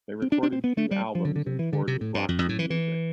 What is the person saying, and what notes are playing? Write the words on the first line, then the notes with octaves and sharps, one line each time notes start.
They recorded two albums and toured with Roxy Music.
C4
D4
D4
C4
B3
A3
G3
F3
D3
D3
C3
E3
D3
C3
A2
G2
F2
F2
A2
E3
E3